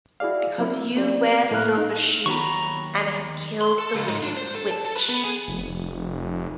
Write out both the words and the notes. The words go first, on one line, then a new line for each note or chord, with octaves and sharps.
Because you wear silver shoes and have killed the wicked witch.
E4 F#4 G#4 D5 F5
F#3 C4 E4
A#3 C4 G4 D5
A2 A3 A#3 E4 F6 F#6
D#4
D#2 D#3 F#3 B3 A#5 B5 C#6
C6
A4
C#2
G#2
D4
C5
A4
A5
A4
B4
B3
G#4
F1